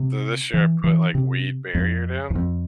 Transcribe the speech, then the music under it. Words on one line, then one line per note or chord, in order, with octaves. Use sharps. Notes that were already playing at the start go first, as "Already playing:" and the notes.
So this year I put, like, weed barrier down
Already playing: C3
E3
E3
C3
F2
E2
F2